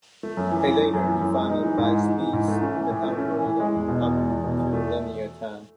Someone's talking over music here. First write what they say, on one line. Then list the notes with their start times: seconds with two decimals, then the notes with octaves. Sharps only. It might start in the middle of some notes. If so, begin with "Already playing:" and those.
A later refinement by speeds the algorithm up to linear time.
0.23 A3
0.37 F#2
0.51 E3
0.65 F#2
0.79 A3
0.93 F#2
1.07 E3
1.21 F#2
1.36 G#3
1.50 D#4
1.63 E3
1.78 G#2
1.92 G#3
2.06 D#4
2.19 E3
2.33 G#2
2.48 A3
2.61 C#4
2.76 E3
2.90 A2
3.04 A3
3.18 C#4
3.32 E3
3.46 A2
3.60 G#3
3.74 E2
3.88 B2
4.02 E2
4.17 G#3
4.30 E2
4.44 B2
4.59 E2
4.73 A3